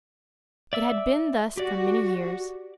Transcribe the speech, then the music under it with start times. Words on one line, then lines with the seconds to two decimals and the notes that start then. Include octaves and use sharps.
It had been thus for many years.
0.73 D5 E5 E6
1.57 F#4 G4 D5